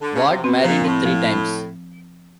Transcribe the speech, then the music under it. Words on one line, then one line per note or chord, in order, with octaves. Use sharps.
Ward married three times.
D3
C#3
C3
B2 C4
A#2 F3
A2 C4
F3